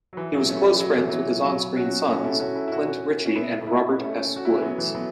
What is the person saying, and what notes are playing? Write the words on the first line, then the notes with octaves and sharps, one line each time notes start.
He was close friends with his on-screen sons, Clint Ritchie and Robert S. Woods.
F#3
E3
F#3
A3 C#4
F#3
E3
F#3
E3
F#3
C#4 F#4
C#4 F#4
E4 A4
C#4 F#4
E4 A4
E4
C#4 F#4
C#4
B3 E4
B3 E4
A3 C#4
A3 C#4
F#4
E4
C#4
F#3 B3
E3 A3
F#3 B3